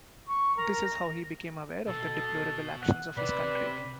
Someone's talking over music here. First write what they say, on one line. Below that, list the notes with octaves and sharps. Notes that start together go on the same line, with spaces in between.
This is how he became aware of the deplorable actions of his country.
C#6
A#4 A#5
A#6
B2 A4
F#5
C3 B4 D5 B5